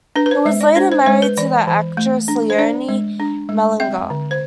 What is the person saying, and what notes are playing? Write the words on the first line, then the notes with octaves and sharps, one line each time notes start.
He was later married to the actress Leonie Mellinger.
D4 B4
B4
C5
G#3 E5
D5
D4 C5
C5
G#3 C5
B4
E3 D5
E3
A3
D4
C5
D4 D5
G#3
D4
G#3
C4 E5
D3
C5